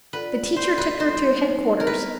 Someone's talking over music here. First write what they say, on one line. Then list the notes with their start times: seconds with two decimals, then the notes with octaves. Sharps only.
The teacher took her to headquarters.
0.13 F4 A4 B4 D5 F#5
0.56 F4 A4 C5 D5 F#5
0.78 B4
0.99 G3 C4 D#4 C5
1.43 G3 C4 D#4
1.80 A#4
1.87 G3 B3 E4 B4